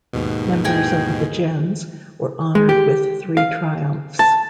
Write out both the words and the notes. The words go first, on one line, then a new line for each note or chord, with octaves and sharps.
Members of the gens were honoured with three triumphs.
D#2 G#2 B2
D#4 G#4 G5
G#3
G4
F5
A5